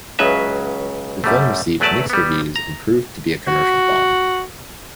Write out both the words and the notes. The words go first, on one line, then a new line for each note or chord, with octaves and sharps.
The film received mixed reviews and proved to be a commercial bomb.
C#2 C#3 F#3 B4 E5
F#2 G3 A3
E2 F#3 A3 B4 D5 A5
G3 B3
A#5
F#4